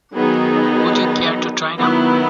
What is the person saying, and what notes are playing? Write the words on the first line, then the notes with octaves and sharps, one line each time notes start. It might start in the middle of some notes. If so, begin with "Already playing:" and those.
Would you care to try now?
D#3 F#3 B3 D#4 G#4
D#3 F#3 B3 E4